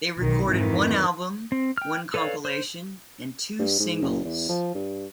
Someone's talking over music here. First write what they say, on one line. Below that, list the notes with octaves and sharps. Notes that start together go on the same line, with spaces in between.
They recorded one album, one compilation and two singles.
B1 D#3
F2 G#2 D#3 E3
C4
G5 F6
A4 B4 C#5 D5 F5
C5
G2
G#2
F#1
E2
F3
G2